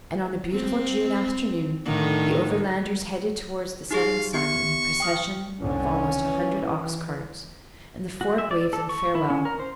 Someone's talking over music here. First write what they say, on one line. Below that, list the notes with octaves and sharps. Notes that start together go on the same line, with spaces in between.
And on a beautiful June afternoon the Overlanders headed towards the setting sun in a procession of almost a hundred ox-carts; and the fort waved them farewell.
C4
A2 D3 D#3
D#4 G4 G#4 F5
B3 G4 C#6
G5 D#6 F6
C2 D3 C#4
E3
F#4
E5
D5
A4
C#6
E4
C#4
A#4
C5